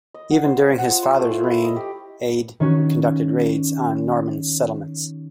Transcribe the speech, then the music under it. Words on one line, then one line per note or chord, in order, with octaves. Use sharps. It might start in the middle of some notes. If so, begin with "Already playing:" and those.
Even during his father's reign Aedh conducted raids on Norman settlements.
D#5
F#5
C5
D#5
F#5
F4
C5
A3
F4
E4
D#5
G4
D#3 C#4 F#4